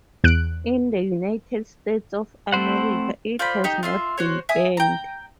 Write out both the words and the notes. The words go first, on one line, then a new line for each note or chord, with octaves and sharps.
In the United States of America, it has not been banned.
E2 F#6 D7
A3 C4 E4 C5 F#5
F4 C5 D5 B5
D#4 G4
F4 E5 C6
F#4 C5 C#5
E5 G#5 D#6
G5 A#5